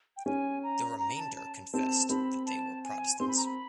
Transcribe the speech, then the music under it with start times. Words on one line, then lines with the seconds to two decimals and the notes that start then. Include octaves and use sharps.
The remainder confessed that they were Protestants.
0.17 G5
0.26 C#4 G#5
0.63 A#5
0.99 A#5
1.18 A5
1.36 A5
1.73 C4 A5
2.10 C4 B5
2.46 A5
2.84 G#5
3.19 C4 C6
3.28 B5
3.36 A#5
3.45 B5